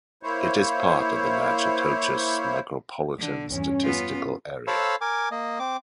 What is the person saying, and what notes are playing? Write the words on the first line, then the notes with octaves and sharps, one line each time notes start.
It is part of the Natchitoches Micropolitan Statistical Area.
A#3 E4 C5 C#5
D3
E2 G2 C#4
B3 F4
A4 C5 C#5 F5 B5 E6
A#4 G#5 D6
A#3 D#5
C4 D6